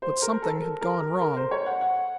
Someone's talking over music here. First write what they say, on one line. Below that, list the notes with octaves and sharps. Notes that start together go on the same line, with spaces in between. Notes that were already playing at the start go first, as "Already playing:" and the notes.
But something had gone wrong.
C5
A#4
A4
A#4
A#4
A#4
A#4
C5
C#5
F#5
F#5